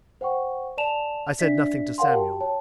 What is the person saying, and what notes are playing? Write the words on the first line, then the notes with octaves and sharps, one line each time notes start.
I said nothing to Samuel.
C5 F#5 G5 C#6
D5 G#5 A5 E7 F7
D4 D5 E5 B6
A#4 C#5 F5 F#5 G#5 C6
F#4 G4 G5 A5
C#5 G5 A5